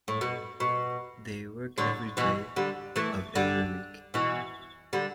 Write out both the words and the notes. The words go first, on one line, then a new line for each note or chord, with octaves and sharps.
They work every day of every week.
A2
B2
B2
A2 D3
B2 E3
D3 G3
E3 A3
D3 G3
B2 E3
D3 G3